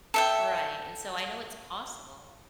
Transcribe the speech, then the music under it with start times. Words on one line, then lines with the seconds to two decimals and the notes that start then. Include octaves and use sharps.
Right, and so I know it's possible.
0.14 A4 E5 G5